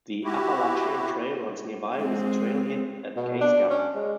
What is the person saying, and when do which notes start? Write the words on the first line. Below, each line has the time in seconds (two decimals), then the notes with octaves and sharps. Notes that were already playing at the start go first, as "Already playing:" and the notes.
The Appalachian Trail runs nearby, with a trailhead at Keyes Gap.
0.24 E4 F#4 G4
1.96 G#3 C4
3.16 B2
3.41 D4
3.70 C#4
3.95 G#3